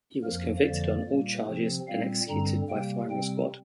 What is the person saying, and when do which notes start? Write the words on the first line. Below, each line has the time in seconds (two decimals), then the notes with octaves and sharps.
He was convicted on all charges and executed by firing squad.
0.24 F2 F3 A#3 A#4
0.65 F2 D3 F3 A#3 D5
1.06 A#2 G3 A#3
1.47 C3 F3 C4
1.87 A#2 G3 C4 F5
2.29 G2 D3 G3 C4 A#5
2.69 C3 G3 A#3 G5
3.10 C3 G3 C4 G5